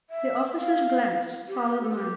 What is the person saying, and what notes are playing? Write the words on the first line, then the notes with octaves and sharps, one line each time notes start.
The officer's glance followed mine.
E5
F5
G4
A4
G4